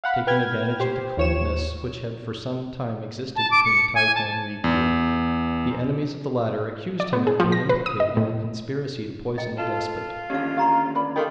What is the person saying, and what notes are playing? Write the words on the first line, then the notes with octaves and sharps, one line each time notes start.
Taking advantage of the coldness which had for some time existed between the Taiko and Rikiu, the enemies of the latter accused him of being implicated in a conspiracy to poison the despot.
F5 F#5 B5
B4 G5 F6 G#6
G4 C5
D#2 C#5 E7
A5
D6
C#7
G#5
A5
E2
D5
B3
G#4
F3
A#6
B4
D#6
D#5
A2
D#5 G5
F4 A4
D#2 D3 C#4 D4 G4 D#5 F5
G4 F5 A#5 C6
B4 D5 B5
D#3 G4 A4 D#5 F5 C6